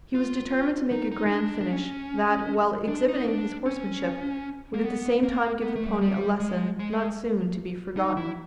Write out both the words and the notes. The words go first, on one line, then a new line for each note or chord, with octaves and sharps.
He was determined to make a grand finish that, while exhibiting his horsemanship, would at the same time give the pony a lesson not soon to be forgotten.
F4
D#4
D#4
D#4
D4
D4
C#4
D4
D#4
D4
C#4
A#3
B3
A#3
B3
A3
G3
G3
G#3
G#3
D#4
E4